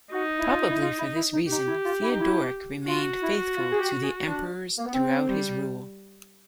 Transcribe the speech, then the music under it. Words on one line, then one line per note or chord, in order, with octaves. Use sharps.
Probably for this reason, Theodoric remained faithful to the emperors throughout his rule.
D#4 F#4
E4
F4
E4
F4
E4
E4
D#4
D#4 G4
E4
F4
E4
D#4
E4
F4 F#4
E4
F4
G#4
G4
G#4
D4
A#3
B3
C4
G3